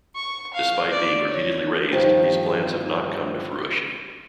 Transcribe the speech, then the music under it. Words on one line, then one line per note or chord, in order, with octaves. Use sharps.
Despite being repeatedly raised, these plans have not come to fruition.
C#6
F5
D5
C#5
G2 D#3 F3 G3